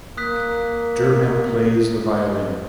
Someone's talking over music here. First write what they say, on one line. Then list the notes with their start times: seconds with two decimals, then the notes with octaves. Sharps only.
Derham plays the violin.
0.17 A#3 D#6 F#6 B6